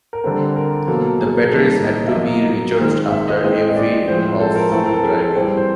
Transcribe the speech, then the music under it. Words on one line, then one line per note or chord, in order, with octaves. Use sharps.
The batteries had to be recharged after every of driving.
A#4
D3 G3 C4 A4
A#4
B2 F#3 A#3 A4
G#4
D#3 G3 A#3 A4
D#5
E5
B2 F#3 A#3 D#5
D#3 G#3 C4
E5
D#5
E3 G#3 C4 D#5
D#5
D5
A2 F3 G#3 C4 C5
A4
A#4
E3 A3 C4 A4
A#4
A4
G#4
A4
E3 G3 C4
C5